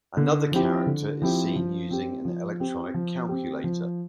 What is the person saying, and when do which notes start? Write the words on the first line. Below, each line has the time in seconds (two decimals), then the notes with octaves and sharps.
Another character is seen using an electronic calculator.
0.17 D3
0.52 F3 C4 E4 G4
0.86 D3
1.22 F3 C4 E4 G4
1.56 F3
1.91 C4 G4
2.25 F3
2.60 C4 G4
2.94 F3
3.29 C4 G4
3.64 F3